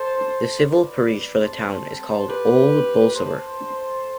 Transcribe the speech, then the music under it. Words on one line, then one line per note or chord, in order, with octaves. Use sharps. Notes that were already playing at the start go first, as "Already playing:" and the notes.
The civil parish for the town is called Old Bolsover.
Already playing: A4 C5
G3 D4
B2 B4 D5
G3 C4
C3 A4 C5
G3 C4
B2 G4 B4
A3
C4
A2 A4 C5
G3 D4